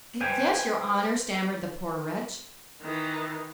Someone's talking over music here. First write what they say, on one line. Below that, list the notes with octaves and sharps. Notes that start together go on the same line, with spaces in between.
"Yes, your Honour," stammered the poor wretch.
B4 C5 G5 G#5
D#3 E3